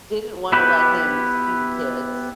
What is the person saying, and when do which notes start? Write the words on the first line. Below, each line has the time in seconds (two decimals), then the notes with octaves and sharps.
didn't want to let him see the kids,
0.52 B3 E4 G4 B4